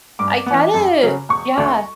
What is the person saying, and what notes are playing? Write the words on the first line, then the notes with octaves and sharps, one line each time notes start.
I get it. Yeah.
G2 D6
E3 B3
F#2
C#3 F#3 C#4
E1 C#6
D2 D3